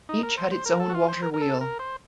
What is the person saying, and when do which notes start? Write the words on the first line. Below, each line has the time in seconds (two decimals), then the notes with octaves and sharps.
Each had its own water wheel.
0.09 D#4
0.23 A#4
0.38 C5
0.52 C5
0.66 A#4
0.80 A4
0.89 F#4
0.94 F4
1.08 C5
1.23 A#4
1.34 A#4
1.41 A4
1.61 A#4
1.79 C5